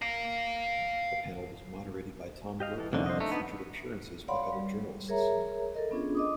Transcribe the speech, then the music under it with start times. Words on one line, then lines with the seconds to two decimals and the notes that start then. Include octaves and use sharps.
The panel was moderated by Tom Brokaw and featured appearances by other journalists.
0.02 F5 A#5
2.60 G4 D#5 F5
2.78 E3 A4
2.93 C2 F2 D3 A#3 C#4 D#4
3.06 C5 D#5
3.20 A3 D4 D#4 A#5
3.32 B3
4.28 C#5 D5 F5 F#5 B5 C6
4.52 G3
5.08 G#4 A#4 C#5 E5 A#5
5.74 A4 A#4 D#5
5.91 B3 C#4 D4 F4 G#4
6.15 D#5 D6 D#6